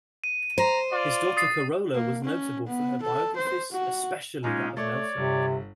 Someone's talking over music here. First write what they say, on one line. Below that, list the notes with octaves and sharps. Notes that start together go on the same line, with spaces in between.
His daughter Carola was notable for her biographies, especially that of Nelson.
D#7
C5 A#5
F4 D5
D#6 A6 C7
A#3
C#4
B3
A4
C5
F#4
A#2 G#3 C#4 D#4
A3 C#5 D5
G1 C3